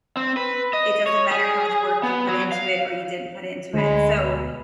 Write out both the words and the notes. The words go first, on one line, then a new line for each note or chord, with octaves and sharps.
it doesn't matter how much work you put into it or you didn't put into it, so
C4
B4
D#5
C#5
G#4
B3
F#3
F5
D2 G#3 B5
B2